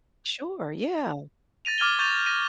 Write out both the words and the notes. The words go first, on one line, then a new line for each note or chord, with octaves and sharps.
Sure, yeah.
A6 A#6 D#7 F7
D6 F6 G#6 D#7 G7
C#6 G6 A6 D#7 F7
A#6 D#7